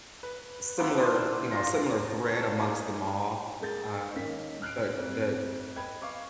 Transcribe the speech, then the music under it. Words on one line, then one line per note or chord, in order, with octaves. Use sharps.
similar you know, similar thread amongst them all, uh, but the
B4
F3 A#3 B3 E4
D4 B4 C5
F4 A#5 C6
A4 C#5
G#3 A#3 D#4
G#3 A#3 G#4 G6 A6
D#3 A#3 C#4 D#5 B6
F6 F#6 C7 D7
G1 F2
B4 D#5 G5 B5 G#6
F5 C#6 D6